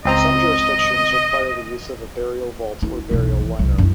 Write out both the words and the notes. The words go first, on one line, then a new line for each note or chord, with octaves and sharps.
Some jurisdictions require the use of a burial vault or burial liner.
C#2 C4 D#5 A#5
E4
B1 E2
E3
C2 F#3
F#2 E4